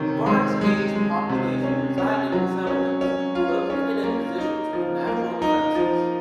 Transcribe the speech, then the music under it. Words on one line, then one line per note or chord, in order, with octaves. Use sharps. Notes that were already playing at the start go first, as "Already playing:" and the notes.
The Bronze Age population resided in settlements located at positions with natural defenses.
Already playing: C3 D#3 C#4
G#3
G#3
G#3
C3
C#4
C#4
F#3
C#4
C#4
F4
C#4
A#3
D#4
F3
A#3
D#4
F3